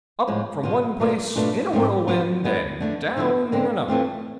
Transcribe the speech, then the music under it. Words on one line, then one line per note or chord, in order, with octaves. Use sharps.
Up from one place, in a whirlwind, and down in another.
A2 F3 G#3
B2 B3 F4
B2 A3 D4 F4
B2 A3 D4 F4
G#2 F3 A3 C4
B2 B3 F4
D3 G#3 B3 E4
D3 A3 D4
D3 F3 A3 E4
D3 G#3 C4
E3 A3 C4 F4